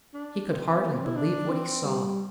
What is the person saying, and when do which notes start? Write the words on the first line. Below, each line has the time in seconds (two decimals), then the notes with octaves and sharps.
He could hardly believe what he saw.
0.14 D4
0.48 C4
0.82 A#3
0.93 C4
1.05 E4
1.16 D4
1.50 C4
1.84 G3